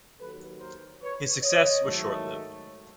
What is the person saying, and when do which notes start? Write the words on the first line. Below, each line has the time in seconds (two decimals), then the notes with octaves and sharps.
His success was short-lived.
0.20 D#2 D#3 F#3 A4 B4
0.60 A#4 C5
1.02 B4 C#5
1.43 C#5 D#5
1.84 G#2 D#3 F#3 A3